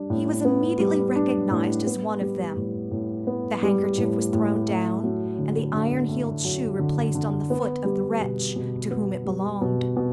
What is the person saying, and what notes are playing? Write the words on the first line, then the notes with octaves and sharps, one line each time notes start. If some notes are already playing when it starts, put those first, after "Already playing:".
He was immediately recognized as one of them; the handkerchief was thrown down, and the iron-heeled shoe replaced on the foot of the wretch to whom it belonged.
Already playing: G3 D4
A2
B3
G3
D4
A2
B3
G3
A2
A2
B3
G3
A2
A2
A3
F#3
D3
D3
A3
F#3
D3
D3
B3
G3
B2
B2
B3
G3
B2
B2